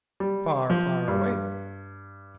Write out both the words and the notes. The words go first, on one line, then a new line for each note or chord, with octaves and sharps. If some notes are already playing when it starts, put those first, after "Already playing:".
"Far, far away!"
G3
F3
G2